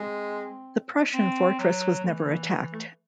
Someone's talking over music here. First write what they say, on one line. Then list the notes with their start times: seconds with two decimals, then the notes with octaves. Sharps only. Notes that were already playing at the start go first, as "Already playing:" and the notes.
The Prussian fortress was never attacked.
Already playing: G#3 C4
1.14 C4
1.59 F#3
2.04 E3 A3
2.27 A#3
2.49 A3
2.72 A3